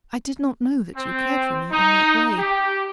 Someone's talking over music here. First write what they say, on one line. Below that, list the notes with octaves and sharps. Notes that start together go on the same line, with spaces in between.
I did not know that you cared for me in that way.
C4
D#4
G4